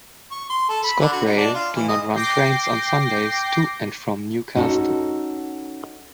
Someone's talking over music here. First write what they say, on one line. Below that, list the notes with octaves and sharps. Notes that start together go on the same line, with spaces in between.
ScotRail do not run trains on Sundays to and from Newcastle.
C#6
C6
A4
B5
D3
F#4
D#4
D4
F4
E3
D#5
G5 D6 G6 A#6 C7
C#4 D#4 F#4 A4